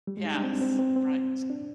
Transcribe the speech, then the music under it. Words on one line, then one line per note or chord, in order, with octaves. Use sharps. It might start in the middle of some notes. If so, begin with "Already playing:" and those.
Yes. Right.
G3
G#3
D#4
D4
C4
C4
C4
C4
D4